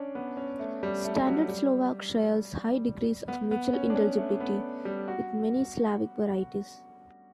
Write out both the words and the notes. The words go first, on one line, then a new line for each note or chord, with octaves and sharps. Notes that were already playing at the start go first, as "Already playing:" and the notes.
Standard Slovak shares high degrees of mutual intelligibility with many Slavic varieties.
Already playing: C#4 D4
B3
C#4
A3
G3
A3
F#3
G3
B3
B3
C#4
D4
C#4
A3
B3
G3
F#4